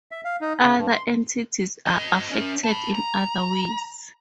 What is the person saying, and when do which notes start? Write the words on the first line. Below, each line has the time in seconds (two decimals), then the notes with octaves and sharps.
Other entities are affected in other ways.
0.12 E5
0.25 F5
0.41 D#4
0.61 C#3
0.76 G2
0.90 C6
1.87 C4 D#5
2.31 C#4 A#4
2.64 A5 B5
2.95 A#5